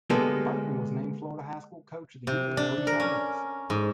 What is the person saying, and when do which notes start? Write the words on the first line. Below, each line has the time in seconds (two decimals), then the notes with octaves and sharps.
Bertman was named Florida High School Coach of the Year three times.
0.10 D3 G#3 A#3 B3 G4 A4
2.27 C3
2.57 D4
2.87 A#4
3.00 C#4
3.70 G#2